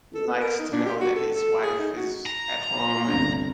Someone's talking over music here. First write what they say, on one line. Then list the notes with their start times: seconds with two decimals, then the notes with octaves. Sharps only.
He likes to know that his wife is at home and,
0.15 A4
0.27 B3
0.41 A#4
0.59 D#4
0.72 D4
0.86 G4
1.01 F#4
1.16 A4
1.35 A4
1.63 G#4
1.79 D#4
1.97 F#4
2.26 A#5
3.08 G1 C3 D4